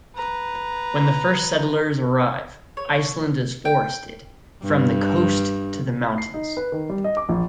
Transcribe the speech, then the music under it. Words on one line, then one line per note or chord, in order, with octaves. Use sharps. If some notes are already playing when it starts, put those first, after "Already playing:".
When the first settlers arrive Iceland is forested "from the coast to the mountains".
B4 A#5
C#5
G5
G2
C7
D#4
B4
D#3
G3
D#5
D6
A#1